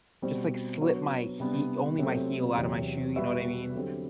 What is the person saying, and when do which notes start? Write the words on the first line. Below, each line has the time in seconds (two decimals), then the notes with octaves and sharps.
Just, like, slip my hee only my heel out of my shoe, you know what I mean,
0.22 B2 G3 C4 F#4 C5
0.81 F#3 B3 D4 F#4 B4
1.40 C3 G3 B3 D4
1.98 C3 F#3 A3 C4
2.57 E2 C3 F#3
3.16 G3 B3 F#4 B4 E5
3.74 D3 F#3 C4 G4